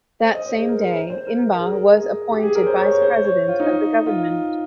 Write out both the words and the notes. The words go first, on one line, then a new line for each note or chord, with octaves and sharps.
That same day, M'ba was appointed vice president of the government.
C5
D#5
C5
G#4
A#4
A#4
C5
C5
A#4
A#4
A#4
G#4
A#4
G#4
G4
G#4
A#4
C5
C#5
C#5
C5
C#5
C#5
F4
D#4
F4